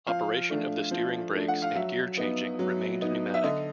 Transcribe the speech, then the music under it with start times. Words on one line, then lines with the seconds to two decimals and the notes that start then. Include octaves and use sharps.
Operation of the steering brakes and gear changing remained pneumatic.
0.07 F3 F5
0.49 A3 D4
0.91 F3
1.33 A3 D4
1.48 F#5
1.62 F5
1.75 F#3 E5
2.17 B3 D#4
2.59 F#3
3.01 B3 D#4
3.34 E5
3.43 D3 D#5